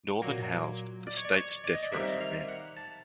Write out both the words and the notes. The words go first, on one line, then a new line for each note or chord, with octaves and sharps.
Northern housed the state's death row for men.
A#2 F#3 A#3
D5
C#5
D5
C#5
D5
D#5
D5
C3 D#3 G3 A#3 E5
F5
F#5
A5